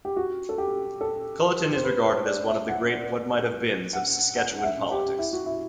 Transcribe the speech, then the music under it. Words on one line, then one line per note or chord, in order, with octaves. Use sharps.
Culliton is regarded as one of the great "what-might have-beens" of Saskatchewan politics.
G4
F#4
A4
G4
A4
C5
B4
C5
D5
E5
F#5
F#5
F#5
F#5
E5
G4
E4
F#4
E4